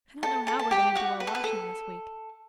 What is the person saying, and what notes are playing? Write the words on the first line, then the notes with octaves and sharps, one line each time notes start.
I don't know how we are going to do our washing this week.
A4 A5
A4 A5
A5
G4 G5
F#4 F#5
B4
A4
B4
A4